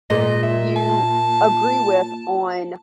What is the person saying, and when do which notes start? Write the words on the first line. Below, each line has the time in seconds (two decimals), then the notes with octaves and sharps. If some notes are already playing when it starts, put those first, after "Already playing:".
who you agree with on
0.10 A#2 D#5
0.43 E5
0.76 A5